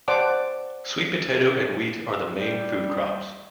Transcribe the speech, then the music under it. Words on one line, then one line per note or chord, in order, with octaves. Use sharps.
Sweet potato and wheat are the main food crops.
C5 D5 F#5 A5 D6
G3